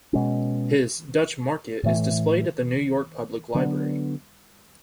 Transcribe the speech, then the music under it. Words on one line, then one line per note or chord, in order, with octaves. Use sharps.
His "Dutch Market" is displayed at the New York Public Library.
B2 G#3 C#4
A2 E3 A3
D3 F#3 B3 D4